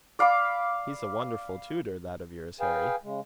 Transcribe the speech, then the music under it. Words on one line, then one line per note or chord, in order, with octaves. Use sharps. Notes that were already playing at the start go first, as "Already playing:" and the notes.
"He's a wonderful tutor, that of yours, Harry!"
D5 F5 B5 D6
G#4 B4 F5 G5 G#5
C#3 G#3